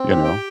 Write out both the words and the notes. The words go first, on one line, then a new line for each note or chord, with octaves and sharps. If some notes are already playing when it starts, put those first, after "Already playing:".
you know?
Already playing: C4
G4
G5